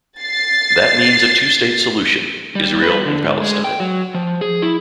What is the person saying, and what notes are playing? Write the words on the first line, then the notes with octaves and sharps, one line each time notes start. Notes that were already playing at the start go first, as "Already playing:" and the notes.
That means a two-state solution: Israel and Palestine.
A6 C7
G3
B4
D3
G#2
G#3
G5
F#3
F3
G#4
E4